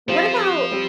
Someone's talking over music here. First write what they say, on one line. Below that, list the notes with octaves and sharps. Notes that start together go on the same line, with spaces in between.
what about
F3 G3 C4 F4 C5 F5
G3 C4